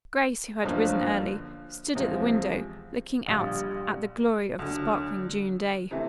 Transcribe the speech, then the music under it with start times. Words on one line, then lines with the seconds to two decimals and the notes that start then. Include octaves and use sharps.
Grace, who had risen early, stood at the window, looking out at the glory of the sparkling June day.
0.63 G1 F#2 D3 F3 A#3
1.95 E2 C3 F3 G#3
3.28 A#1 A#2 G3
4.59 D2 D3 F#3
5.91 C3 E3 A3